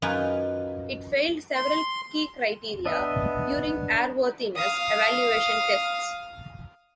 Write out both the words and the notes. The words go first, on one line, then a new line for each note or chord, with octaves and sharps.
It failed several key criteria during airworthiness evaluation tests.
F#2 D#4 F4 B4 G#5
C6
B3 D4 D#5 E5
F5 D#6